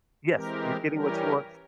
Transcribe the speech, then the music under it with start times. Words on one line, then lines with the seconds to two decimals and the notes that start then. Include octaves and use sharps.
Yes, you're getting what you want
0.31 E3 G#3 C4 G4 A#4
0.88 E3 G3 C#4 G4 A#4